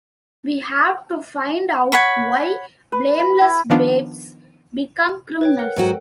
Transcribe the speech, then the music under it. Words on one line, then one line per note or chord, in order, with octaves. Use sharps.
We have to find out why blameless babes become criminals.
C#5 F#5 B5 C#6
B4
B5
E4
D#3 F3 B3 D4 F4
B4 C#5 G5
A#4 F#5 F#6
G#2 F#3 F#4 A4 F#5 G5